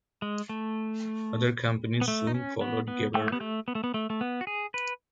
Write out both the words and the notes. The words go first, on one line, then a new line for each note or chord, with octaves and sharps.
Other companies soon followed Gebr.
G#3
A3
B3
A3
D#4
C#4
B3
B3
A3
B3
A3
B3
A3
B3
A3
A3
B3
F#4
G#4
B4